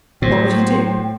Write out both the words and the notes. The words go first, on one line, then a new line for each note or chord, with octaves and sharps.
What would he do?
A2 F#3 C5 G5